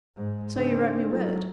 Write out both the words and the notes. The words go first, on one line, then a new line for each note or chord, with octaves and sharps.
"So you wrote me word."
G#2 G#3
C#3 C4 D4 D#4
F#3 D#4 F4 A4